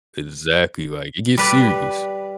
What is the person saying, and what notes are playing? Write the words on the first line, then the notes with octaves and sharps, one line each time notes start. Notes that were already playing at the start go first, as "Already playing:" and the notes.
Exactly, like, it gets serious.
G3 B4 D5